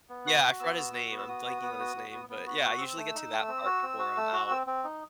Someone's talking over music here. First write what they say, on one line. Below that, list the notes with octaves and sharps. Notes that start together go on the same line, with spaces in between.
Yeah, I forgot his name. I'm blanking on his name. But, yeah, I usually get to that part before I'm out.
B3
F#4 F#6
F#4
B3 E6
F#4
F#4
B3
E6
F#4 D#6
B3
B3
F#4
B3
B3
B3
F#4
F#4 E6
D#6
C4 E6
A3
D#4
A3
C4
F#4
C4
F#4
A3
F#4
C4
C4
D#4